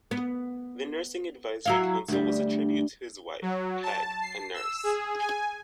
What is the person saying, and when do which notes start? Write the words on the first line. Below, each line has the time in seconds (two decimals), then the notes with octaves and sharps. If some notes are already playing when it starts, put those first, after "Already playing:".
The nursing advisory council was a tribute to his wife, Peg, a nurse.
0.11 B3
1.66 F#3 E4 F5
2.08 D2 G3
3.42 F#3
3.82 A5
4.21 C7
4.54 E6
4.83 G#4
5.18 G#5